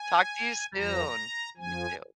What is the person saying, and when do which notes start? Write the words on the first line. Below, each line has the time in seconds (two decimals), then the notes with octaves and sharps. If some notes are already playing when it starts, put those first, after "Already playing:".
Talk to you soon. You too.
Already playing: G#5
0.74 F2 F3 A#5
1.57 F2 F3 G#5